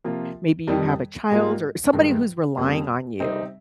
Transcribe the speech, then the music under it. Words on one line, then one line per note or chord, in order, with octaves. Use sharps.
maybe you have a child er somebody who's relying on you,
C3 F3 A#3 F4
F2 D#3 G3
G#2 G3 A#3 F4
G2 D#3 G#3
F2 C#3 G3 A#3
C3 G3 C4 D#4